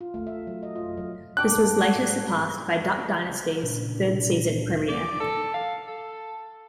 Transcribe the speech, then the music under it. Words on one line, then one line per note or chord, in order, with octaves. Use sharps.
This was later surpassed by "Duck Dynasty"'s third season premiere.
F4
A3
E5
F#3
D#5
F4
F#3
D4 G5 D6 F#6
A#2 C#3 D4
D5
A4
F5
A4